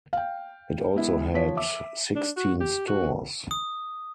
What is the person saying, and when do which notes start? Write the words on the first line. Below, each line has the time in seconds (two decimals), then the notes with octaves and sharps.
It also had sixteen stores.
0.13 F5 G5
0.96 G#3 B3 E4
1.34 F3 C#5 B6
1.57 E5 D6
2.16 D4
2.37 F#4
2.60 G4
2.88 F#4
3.51 D#6